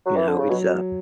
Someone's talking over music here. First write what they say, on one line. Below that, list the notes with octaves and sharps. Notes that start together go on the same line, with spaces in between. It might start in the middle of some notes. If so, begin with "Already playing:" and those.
You know? It's a
F#3
E3
D3
C#3
B2 F#3